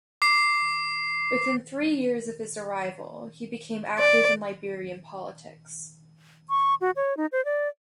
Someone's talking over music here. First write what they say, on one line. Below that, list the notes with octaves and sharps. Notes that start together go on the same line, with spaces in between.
Within three years of his arrival, he became active in Liberian politics.
D6 C7
D5
C#6
F#4
C#5
D#4
C5
D5